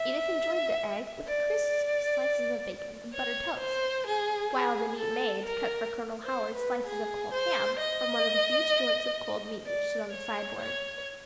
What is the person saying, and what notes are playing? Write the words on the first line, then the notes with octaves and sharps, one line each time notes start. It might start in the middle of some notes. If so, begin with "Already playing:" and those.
Edith enjoyed the eggs with crisp slices of bacon, and buttered toast, while the neat maid cut for Colonel Howard slices of cold ham from one of the huge joints of cold meat which stood on the sideboard.
Already playing: E5
D5
C#5
C5
G#4
G#4
A4
A#4
C5
B4
G#4
C5
D#5
D5
C#5
C#5